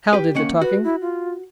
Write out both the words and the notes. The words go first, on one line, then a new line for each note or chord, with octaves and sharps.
Hal did the talking.
G4 B4
D#3 A#3 C#4 F#5
F#4 B4
E4
F4